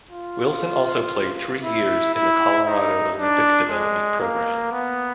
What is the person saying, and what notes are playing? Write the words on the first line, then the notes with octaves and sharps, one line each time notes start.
Wilson also played three years in the Colorado Olympic Development Program.
F4
E4
E4
D#4
D4
G#3
A#3
B3